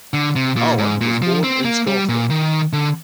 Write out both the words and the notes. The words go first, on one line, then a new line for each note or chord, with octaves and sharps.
Allan was born in Scotland.
D3
C3
A#2
G#2
A#2
F3
C4
A#3
G3
A#2
D#3
D3